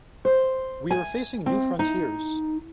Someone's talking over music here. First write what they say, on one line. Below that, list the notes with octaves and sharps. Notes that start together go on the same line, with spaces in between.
We are facing new frontiers.
C5
G#5
C4
D#4